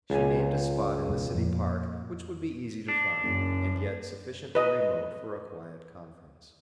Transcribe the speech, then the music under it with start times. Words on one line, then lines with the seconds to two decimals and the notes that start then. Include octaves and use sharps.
She named a spot in the city park which would be easy to find, and yet sufficiently remote for a quiet conference.
0.10 C#2 G#5
1.08 E1
1.34 F2 A#2
2.88 D4
3.23 F#1 F#2
4.55 B4 D#5